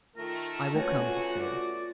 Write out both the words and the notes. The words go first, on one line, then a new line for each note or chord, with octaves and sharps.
"I will come," he said.
D#3 A3 F4 A#4
D2 A3 B3 C#4 F#4 G#5
D5